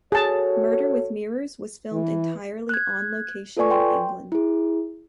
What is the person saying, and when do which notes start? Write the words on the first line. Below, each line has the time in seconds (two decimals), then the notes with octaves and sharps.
"Murder with Mirrors" was filmed entirely on location in England.
0.12 F#4 G#4 A4 C#5 A5
1.93 E3
2.69 F#6 G#6
3.57 F4 A4 B4 D5 G#5 C#6
3.71 G5 C6
4.32 E4 G#4